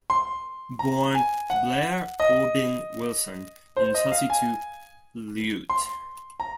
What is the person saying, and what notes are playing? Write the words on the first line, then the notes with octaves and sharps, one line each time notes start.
Born Blair Aubyn Wilson in Chelsea to Lieut.
C6
A#5
G#5
F#5
D#5
C5
D#5
F5
G#5
C6
A#5